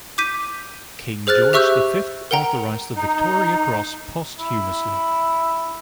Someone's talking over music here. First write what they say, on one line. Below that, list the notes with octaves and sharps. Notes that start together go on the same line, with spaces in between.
King George the Fifth authorized the Victoria Cross posthumously.
D6 G6 B6 D#7
G#4 C5 F6 F#6 A6
G4 E5 C#6 E6 F#6 G6
A#4 F#5 G5 A#5
D#4
E4